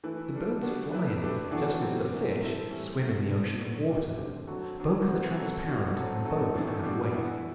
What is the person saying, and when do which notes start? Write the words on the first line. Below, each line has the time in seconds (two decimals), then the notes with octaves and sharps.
The birds fly in it just as the fish swim in the ocean of water. Both are transparent and both have weight.
0.04 E3 A3 E4 B4
0.33 G3 D4 A4
0.63 G3 B3 D4 F#4
0.92 A3 E4 G4 B4
1.22 A3 D4 G4 B4
1.51 E3 B3 D4 F#4 A4
1.81 F#3 C4 G4
2.11 C3 E3 B3
2.40 G3 C4 E4 A4
2.70 A2 E3 G3
2.99 F#3 A3 C4
3.29 D3 A3 C4 E4
3.58 F#3 A3 C4
3.88 B2 G3 D4 G4
4.18 D3 A3 C4 G4
4.47 D3 F#3 C4 F#4 A4
4.77 F#3 B3 D4 F#4 A4
5.06 B2 A3 C4 F#4
5.36 F#3 B3 F#4 A4
5.65 G3 D4 F#4
5.95 F#3 C4 F#4 A4
6.24 A2 F#3 C4 F#4 A4
6.54 A2 E3 B3 D4 A4
6.84 B2 G3 D4 G4
7.14 E3 B3 E4 B4